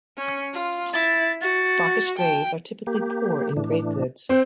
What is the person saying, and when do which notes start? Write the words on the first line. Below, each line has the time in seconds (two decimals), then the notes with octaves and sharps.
Vakhsh graves are typically poor in grave goods.
0.18 C#4
0.54 F4
0.93 E4 A6
1.41 F#4 A6
2.18 G5 A5
2.87 A#3 G4
3.57 A2 E3 D4
4.29 C4 G5